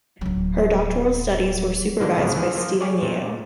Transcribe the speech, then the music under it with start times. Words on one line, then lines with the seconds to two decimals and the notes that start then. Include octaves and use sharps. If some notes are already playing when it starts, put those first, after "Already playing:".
Her doctoral studies were supervised by Stephen Yeo.
0.21 D1 F#3
2.00 A#2 D#3 E3 A#3 D4 D#4
2.17 C#2 G#2 B2 D3 F3 F#3
2.35 E3 F3 G#4
2.55 F3 A#3 F4
2.81 G4 G#4 C#5 D5
3.02 A#2